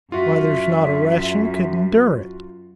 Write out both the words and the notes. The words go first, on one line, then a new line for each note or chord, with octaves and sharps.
"Why, there's not a Russian could endure it!"
F#2 F4 F#4 E5